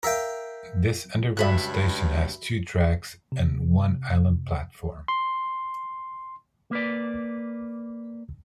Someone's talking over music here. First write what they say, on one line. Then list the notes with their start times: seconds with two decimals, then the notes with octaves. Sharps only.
This underground station has two tracks and one island platform.
0.03 A#4 E5 F5 G5
1.37 C#2 G2 F#4 E5 B5 F#6
3.32 C3
5.08 C6
6.71 A#3 B4 D5